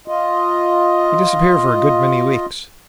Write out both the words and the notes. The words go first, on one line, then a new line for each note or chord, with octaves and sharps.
He disappeared for a good many weeks.
F4 D#5